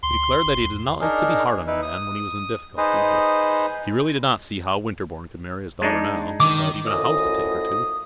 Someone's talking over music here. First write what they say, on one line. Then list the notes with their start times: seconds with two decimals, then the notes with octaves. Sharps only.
He declared that he did not like to be hard on a man when he was in difficulty; but he really did not see how Winterborne could marry his daughter now, without even a house to take her to.
0.03 D2 C6
0.45 G1
0.63 E2
1.01 D4 D#4 G#4 A#4
1.67 D#4 E4 B4
1.83 D#6
2.78 D#4 G#4 B4 C5 D#5
5.82 G#3 D4 D#4
6.40 D#3 D6
6.85 F#2 A2 F3 D#5 D#6